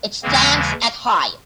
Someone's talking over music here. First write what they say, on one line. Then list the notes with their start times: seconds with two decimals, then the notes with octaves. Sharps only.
It stands at high.
0.23 D#2 C#3 E3 G#3 A#3 C4